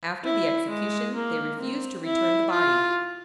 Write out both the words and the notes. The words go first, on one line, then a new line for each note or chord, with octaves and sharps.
After the execution they refused to return the body.
E4
G#3
A#3
C4
E4
F4